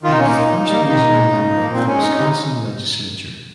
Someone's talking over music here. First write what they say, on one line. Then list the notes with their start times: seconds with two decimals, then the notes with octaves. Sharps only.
He is the first Muslim member of the Wisconsin Legislature.
0.03 D#3 F4
0.12 D#4
0.19 C#4
0.25 A#3 D#4
0.45 A#2
0.68 G3 A#3
0.88 D#3 D#4
1.09 G#3
1.31 C#3
1.53 F3 A#3
1.73 A#2 C4
1.87 C#4
1.94 G#3
2.02 D#4
2.11 C#4
2.16 C3 D#4